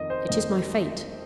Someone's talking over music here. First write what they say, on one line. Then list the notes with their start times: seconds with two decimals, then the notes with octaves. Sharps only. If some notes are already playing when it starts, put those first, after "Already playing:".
It is my fate.
Already playing: F2 D#3 D#5
0.10 C5
0.29 F2 D#3 D#5